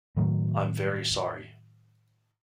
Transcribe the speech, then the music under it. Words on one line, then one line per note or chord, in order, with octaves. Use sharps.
I'm very sorry.
A2 D#3 F#3